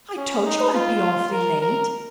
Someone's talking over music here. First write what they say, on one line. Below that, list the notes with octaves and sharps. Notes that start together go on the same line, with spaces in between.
"I told you I'd be awfully late."
C#4
D#4
F4
A#4
A#4